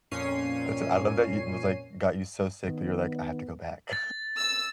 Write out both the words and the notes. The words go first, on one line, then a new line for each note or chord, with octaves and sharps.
That's uh, I love that y was, like got you so sick but, you're like, "I have to go back.
F2 A#2 C#4 C#5 C7 D#7
D#3 B3
A6
E6